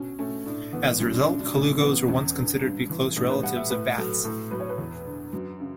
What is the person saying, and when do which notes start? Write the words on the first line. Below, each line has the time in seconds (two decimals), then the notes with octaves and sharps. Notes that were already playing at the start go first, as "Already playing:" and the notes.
As a result, colugos were once considered to be close relatives of bats.
Already playing: B2 D3 C#4
0.19 A3 C#4
0.46 A2 D4
0.73 E3 B3
1.00 F#2 C#4
1.13 D4
1.27 C#3 D4
1.40 D4
1.54 A2 C#4
1.80 E3 B3
2.08 E2 C#4
2.35 D3
2.62 G2
2.89 E3
3.16 A2 D4
3.30 B4
3.43 G3 F#5
3.56 E5
3.70 A2 B4
3.98 F#3 A4
4.25 A2 A4
4.51 F#3 B4
4.60 C#5
4.69 B4
4.78 E2
5.06 D3
5.33 F#2
5.60 C#3